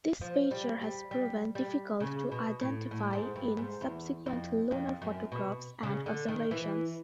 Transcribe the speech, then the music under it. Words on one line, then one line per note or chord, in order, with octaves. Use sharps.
This feature has proven difficult to identify in subsequent lunar photographs and observations.
F3
G3
G3
G3
G3
C#3
B2
A2
A2
G#2
G2
G#2
E2
F2
F2
F#2
B2
C#3
D3
D#3
E3